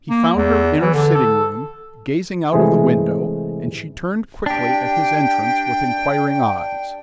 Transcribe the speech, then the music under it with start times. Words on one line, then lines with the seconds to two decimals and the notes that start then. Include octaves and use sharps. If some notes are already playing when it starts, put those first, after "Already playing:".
He found her in her sitting-room, gazing out of the window, and she turned quickly at his entrance with inquiring eyes.
0.10 A#3
0.36 E2
0.81 E3
0.94 D3
1.15 A4
2.53 C3 E3 G#3 A3 G#4
4.46 D4 G4 G5